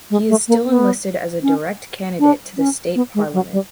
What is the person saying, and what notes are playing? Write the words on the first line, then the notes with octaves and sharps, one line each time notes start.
He is still enlisted as a direct candidate to the state parliament.
G#3
A3
A#3
B3
C#4
D4
C#4
B3
G#3
F#3
G3